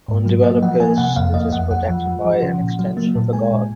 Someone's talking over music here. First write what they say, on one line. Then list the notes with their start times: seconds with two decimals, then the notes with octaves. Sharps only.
On developed hilts it is protected by an extension of the guard.
0.08 G#2
0.26 F#3
0.44 A#3 D#5
0.62 F3 F#5
0.80 A#3 G#5
0.98 C3 F#5
1.16 F2 F5
1.34 A#3 D#5
1.53 F2 F#5
1.71 F2 F#5
1.89 F3
2.07 F3
2.25 F3
2.43 C#3
2.61 A#2
2.79 F#3
2.97 A#3
3.15 A#2
3.33 G#3 G#5
3.52 A#2